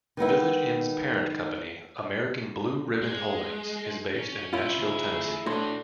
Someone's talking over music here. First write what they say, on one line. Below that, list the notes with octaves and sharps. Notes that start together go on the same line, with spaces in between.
Village Inn's parent company, American Blue Ribbon Holdings, is based in Nashville, Tennessee.
D#3 G#3 B3 E4
G#3
C#4
E4 F4
D2 G#4
A2 D4 F#4 C6